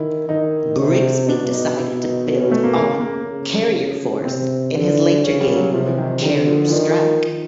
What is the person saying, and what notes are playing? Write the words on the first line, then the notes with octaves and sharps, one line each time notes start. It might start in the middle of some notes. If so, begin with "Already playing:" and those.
Grigsby decided to build on "Carrier Force" in his later game "Carrier Strike".
Already playing: D#3 E4
D#3 D#4
C3
B2 D4
D4
D#4
E4
D#4
C#4
A3
A#3
C#3 A#3
A#3
C#3
C3 C4
D3
C#3 C#4
G3
F#3
C3 F3
E3
D#3
D3 D#3
F3
E3
D#3 F3